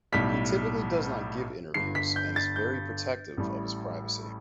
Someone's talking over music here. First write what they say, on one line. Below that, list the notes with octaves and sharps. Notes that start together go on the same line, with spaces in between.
He typically does not give interviews and is very protective of his privacy.
B1 A2 G3 B6
G1 G2 D3 C7
B6
G6
A6
G6
A1 A2 G3